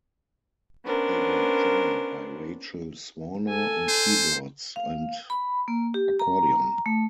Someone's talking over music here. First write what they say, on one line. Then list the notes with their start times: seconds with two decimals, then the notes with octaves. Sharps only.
They were joined by Rachel Swaner on keyboards and accordion.
0.83 B3 C#4 D4 A#4 C5
3.49 A4 G#5
3.88 C5
4.76 F5
5.30 B5
5.68 A#3
5.94 G4
6.19 A#5
6.86 A3